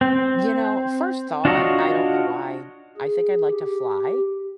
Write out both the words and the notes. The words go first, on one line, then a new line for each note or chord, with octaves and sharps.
You know, first thought, I don't know why. I think I'd like to fly.
C4
D4 F4 F#4 C#5 D#5
G#4
G4